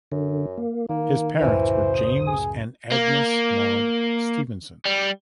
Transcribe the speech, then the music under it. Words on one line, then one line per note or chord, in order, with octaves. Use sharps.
His parents were James and Agnes Maud Stephenson.
F#2 D3
A#3
D#3 A#3
C#2 F#2 A2 E3 C5
D#6
G#4
A#3
G3